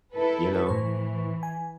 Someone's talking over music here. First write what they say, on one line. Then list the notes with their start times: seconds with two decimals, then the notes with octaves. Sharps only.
You know?
0.14 E4 A4 B4
0.67 A2 E3 C5 C#6
1.43 G#5